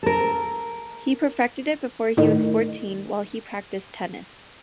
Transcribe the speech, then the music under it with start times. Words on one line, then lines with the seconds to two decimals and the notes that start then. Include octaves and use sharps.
He perfected it before he was fourteen while he practiced tennis.
0.03 A4 A#4
2.17 A2 D#3